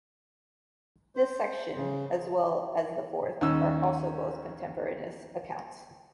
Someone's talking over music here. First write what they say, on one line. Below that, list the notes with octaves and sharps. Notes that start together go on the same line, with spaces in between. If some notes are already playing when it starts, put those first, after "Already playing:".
This section, as well as the fourth, are also both contemporaneous accounts.
C5
C#3
D#2 C#4 E6